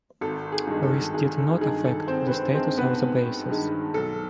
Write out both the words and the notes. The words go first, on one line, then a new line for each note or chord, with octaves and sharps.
This did not affect the status of the bases.
G#1 A4
G#4
G2 D#3 G#3
A4
G#1 G#4
A4
G2 D#3 G#3 G#4
A4
G#1 C4 C5
B4
C4 C5
G2 D#3 G#3 C4 C5
B3 B4
G#1
G2 D#3 G#3
B1 A4